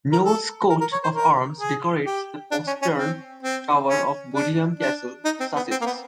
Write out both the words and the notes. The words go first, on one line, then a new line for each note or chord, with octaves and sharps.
Knolles' coat of arms decorates the postern tower of Bodiam Castle, Sussex.
A#4
A4
A#4
A#4
C#5
C5
A#4
G#4
G4
D4
C#4
C#4
C4
C4
C#4
D4
D4
D#4
C4
B3
C4
A#3
B3